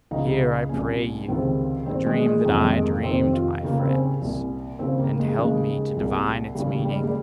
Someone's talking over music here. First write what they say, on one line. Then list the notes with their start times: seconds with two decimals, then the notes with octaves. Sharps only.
Hear, I pray you, the dream that I dreamed, my friends, and help me to divine its meaning!
0.11 C#2 C#3 D#4
0.69 C2 A#2 C#4
1.28 C#2 C3 D#3 C4
1.86 G2 D#3 C4
2.06 G#3
2.26 G#3
2.45 F2 C3 D#3 G#3
2.65 G#3
2.84 A#3
3.03 F2 C3 D#3 C4
3.33 F4
3.63 D#2 C#3 A#3
3.79 C4
3.91 C#4
4.21 C2 A#2
4.79 D#2 C#3 C4
5.00 A#3
5.19 G#3
5.28 A#3
5.38 D#2 C#3 G#3
5.97 C2 A#2
6.55 D#2 C#3 G3
6.85 G3
6.94 G#3
7.04 G3